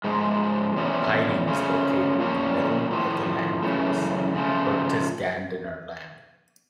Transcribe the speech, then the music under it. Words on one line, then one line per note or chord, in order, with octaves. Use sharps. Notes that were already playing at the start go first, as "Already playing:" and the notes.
Piding is located in the middle of the "Landkreis" Berchtesgadener Land.
G#2 F3 G#3
E2 C3 F3 A3 C#4
C#3 F3 A3 C#4
A#2 F3 A#3 C#4
A2 F3 A3
F#2 C#3 E3 A3
C#3 F3 A3